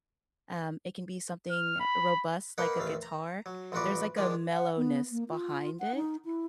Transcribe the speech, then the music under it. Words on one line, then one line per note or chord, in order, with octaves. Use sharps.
um it can be something robust like a guitar, there's like a mellowness behind it
F6
B5
A#3 D#4 A#4 B4 F#5
A1 D#2 A3 F5
A#5
F#3
A1 F3 F4 F#4 B4 D5
D#3 F3 G#3 D4
F#5
B3
A#3
F4
F#5
D#4
E4